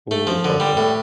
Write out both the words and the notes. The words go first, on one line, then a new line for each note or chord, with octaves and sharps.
Ooh, poke,
A3
F3
D3
G3
A2